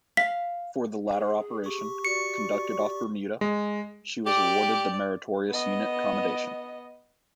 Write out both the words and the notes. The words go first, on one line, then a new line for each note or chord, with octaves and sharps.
For the latter operation, conducted off Bermuda, she was awarded the Meritorious Unit Commendation.
F5 B6
G#4
G4 C#6
F#4 D5 C#7
G#3
G4 D5 D6
B3 D#5